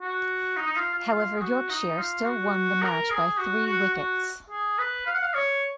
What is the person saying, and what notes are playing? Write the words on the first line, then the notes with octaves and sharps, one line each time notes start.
However, Yorkshire still won the match by three wickets.
F#4
D#4
D#4
F4
F4
F4
G#4
F#4
D#4
F4
F#4
A#4
G#4
F#4
F#4
F#4
G#4
B4
F5
F#5
F5
C#5